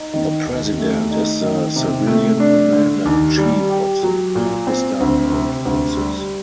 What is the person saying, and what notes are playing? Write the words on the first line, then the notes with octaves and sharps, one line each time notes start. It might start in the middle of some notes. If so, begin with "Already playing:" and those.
The President is the civilian Commander in Chief of the Pakistan Armed Forces.
Already playing: D#4
D#3
D#2
A3
D#4
D#3
C3
A3
D4
D3
D#2
G3
G4
F#3
A#2
C4
D2
C3
D2
G3